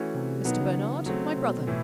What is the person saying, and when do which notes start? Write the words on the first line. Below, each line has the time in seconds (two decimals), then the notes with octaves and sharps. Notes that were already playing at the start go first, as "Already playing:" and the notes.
Mr. Bernard--my brother.
Already playing: E3 A3 C#4 F#4
0.14 C3
0.45 B2 D#3 F#3 B3
0.60 C#3
1.06 F#3 A3 C4
1.36 C3
1.44 B2
1.61 B2
1.67 A2 E3